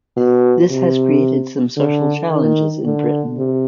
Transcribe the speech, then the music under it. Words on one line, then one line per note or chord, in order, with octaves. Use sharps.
This has created some social challenges in Britain.
B2
C3
D3
D#3
D3
C3